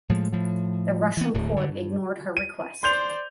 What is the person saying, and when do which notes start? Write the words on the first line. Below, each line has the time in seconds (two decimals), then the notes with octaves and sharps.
The Russian court ignored her request.
0.09 A2 F3 G#3
0.33 A2 F3
1.17 E3 B3
1.34 D1 D2 A2 D3
1.56 G2 D3
1.69 G2
2.37 D#7
2.83 C5 D5 C6 G6 F7